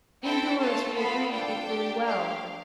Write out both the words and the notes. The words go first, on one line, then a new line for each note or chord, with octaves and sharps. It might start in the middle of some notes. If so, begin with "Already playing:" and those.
Indoors we agreed equally well.
C4 E4 A4 G5
A3 C4 F4 A4 A5
B3 F4 A4 B5
D4 F4 A4 G5
D4 G4
A3 D4 G4 F5